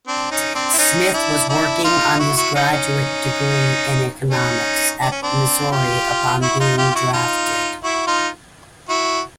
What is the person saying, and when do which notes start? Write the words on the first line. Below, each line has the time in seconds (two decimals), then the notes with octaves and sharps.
Smith was working on his graduate degree in Economics at Missouri upon being drafted.
0.07 C4 D4
0.31 C#4 D#4
0.55 C4 D4
0.74 E4
0.78 C#4 D#4
1.13 D4 E4
1.49 D4 E4
1.84 D#4 F4
2.19 E4 F#4
2.37 E4 F#4
2.54 C#4 D#4
2.72 C#4 D#4
4.30 C#4 D#4
5.01 D4
5.12 C#4
5.23 C4 D4
5.71 F4 G4
6.42 E4 F#4
6.60 D#4 F4
6.77 F4 G4
6.91 F4
6.95 E4 F#4
7.13 D#4 F4
7.83 E4 F#4
8.07 D#4 F4
8.89 E4 F#4